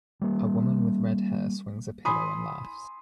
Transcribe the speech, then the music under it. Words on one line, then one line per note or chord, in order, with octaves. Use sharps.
A woman with redhair swings a pillow and laughs.
G3 A#3
G#5 B5 C6 D#6